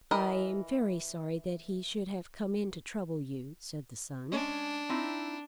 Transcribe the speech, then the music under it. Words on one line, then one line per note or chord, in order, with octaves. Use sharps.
"I am very sorry that he should have come in to trouble you," said the son.
E3 A#4 D#5 B5
G#3 C#4 D4
C4 D#4 E4